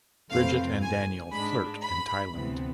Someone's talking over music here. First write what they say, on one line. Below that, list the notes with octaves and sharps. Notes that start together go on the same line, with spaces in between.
Bridget and Daniel flirt in Thailand.
F2 C3 E3 A3 C4 F5
G#5
G#2 G#3 D4 B5
B5
D2 C3 E3 B3